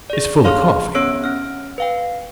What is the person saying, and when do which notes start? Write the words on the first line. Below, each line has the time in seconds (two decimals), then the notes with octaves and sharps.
It's full 'a coffee.
0.10 G#4 D5
0.44 G#4 C#5 F5 C6 F6
0.95 B3 C#4 C#5 E6 D7
1.24 C#4 F6
1.78 B4 F5 G5